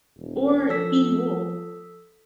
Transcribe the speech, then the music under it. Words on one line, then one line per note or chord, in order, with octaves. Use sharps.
or Teen Wolf.
E1
F3 A4 E6 B6